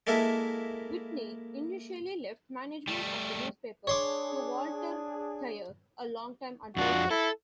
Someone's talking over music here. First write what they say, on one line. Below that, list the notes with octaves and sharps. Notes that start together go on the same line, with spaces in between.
Whitney initially left management of the newspaper to Walter Thayer, a longtime advisor.
G#3 A#3 E4 A4 E5
G3 A3
D4 G#4 C#5 C6 D6
F2 D4 F4 F#4
E4 A4